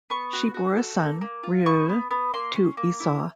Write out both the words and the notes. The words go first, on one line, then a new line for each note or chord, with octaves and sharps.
She bore a son, Reuel, to Esau.
B3 C#6
F#4
F#4
A4
A#3
A#3
F4
B3 C#6
B3
B3
A#3 C6
C#4
A#3
E4